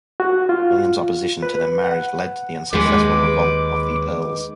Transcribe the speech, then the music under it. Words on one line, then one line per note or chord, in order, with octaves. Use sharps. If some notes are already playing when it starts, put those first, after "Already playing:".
William's opposition to their marriage led to the unsuccessful Revolt of the Earls.
F#4
F4
B4
F#5
D#2 D#3 G#3 B4 D6